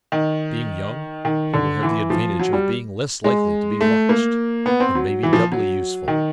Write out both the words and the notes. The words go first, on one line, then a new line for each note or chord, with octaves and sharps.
Being young he will have the advantage of being less likely to be watched, and may be doubly useful.
D#3
D#3
D3
E3
F3
F#3
G3
G#3
A3
A#3
B3
C4
F#3
E3
F3
F#3
D#3